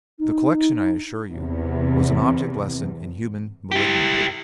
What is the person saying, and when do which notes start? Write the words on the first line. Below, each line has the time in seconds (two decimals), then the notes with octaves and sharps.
The collection, I assure you, was an object lesson in human malignity.
0.19 D#4
1.32 E2 C3
3.71 E4 G4